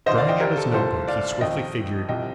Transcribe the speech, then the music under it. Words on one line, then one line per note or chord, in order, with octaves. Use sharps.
Drawing out his note-book he swiftly figured.
D#2 D3 F3 C5 D#5
D5 F5
D#5 G5
G4 A#4
A4
C2 A#2 F3 A4 C5
D5 F5
F2 D#3 D#5 G5
C2 C3 F3 D#5 G5